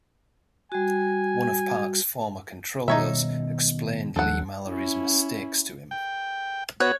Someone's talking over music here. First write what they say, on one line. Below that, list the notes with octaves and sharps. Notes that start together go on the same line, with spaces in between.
One of Park's former controllers explained Leigh-Mallory's mistakes to him.
G3 F#4 G#5
B2 D#3 G3 D#4 C#5 E5
D#2 F3 D4 A4 F#5
C#4 E4
G5
B3 F#4 C#5 F#6